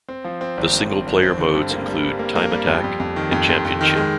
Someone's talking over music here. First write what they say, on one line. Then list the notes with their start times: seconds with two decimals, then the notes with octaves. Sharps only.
The single player modes include "Time Attack" and "Championship.".
0.08 C4
0.24 F3
0.41 C4
0.57 G#1
0.73 G2
0.90 C4
1.06 G#1
1.22 C4
1.38 D3
1.54 G2
1.71 A#3
1.87 G3
2.03 G2
2.19 A#3
2.35 A#3
2.51 G3
2.67 F2
2.84 F2
3.00 F2
3.16 D#3
3.32 F2
3.49 F2
3.65 F2
3.81 D#3
3.96 G#3